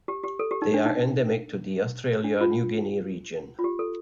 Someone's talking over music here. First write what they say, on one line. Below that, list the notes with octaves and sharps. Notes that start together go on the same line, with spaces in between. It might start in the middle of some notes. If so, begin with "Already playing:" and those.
They are endemic to the Australia-New Guinea region.
G4
G4
A4
G4
D#4
D4
D#4
D4
F4
F4
G4
A4